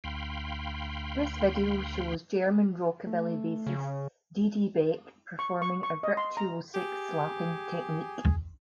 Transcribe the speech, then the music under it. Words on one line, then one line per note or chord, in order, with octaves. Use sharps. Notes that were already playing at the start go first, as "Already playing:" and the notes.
This video shows German rockabilly bassist Didi Beck performing a virtuosic slapping technique.
D2 F5 G5 B5 C6
A3
C#3
C#6
C#6
C#6
D#5
C6
A#5
G4 G#4 G#5